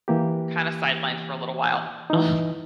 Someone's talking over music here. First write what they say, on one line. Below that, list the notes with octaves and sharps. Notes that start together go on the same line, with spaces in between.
kind of sidelined for a little while. Um,
E3 A#3 G4
E3 D#4